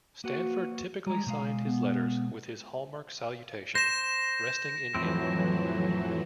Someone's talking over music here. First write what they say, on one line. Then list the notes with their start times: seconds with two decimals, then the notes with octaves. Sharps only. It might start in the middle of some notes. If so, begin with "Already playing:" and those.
Stanford typically signed his letters with his hallmark salutation, Resting in Him.
0.24 A#3 F#4 B4 F#5
1.07 G3 G#3 A#5
1.27 B2 G#3 F5
1.66 B3
3.75 C5 A#6 E7
4.95 F2 A2 E3 F#3 C4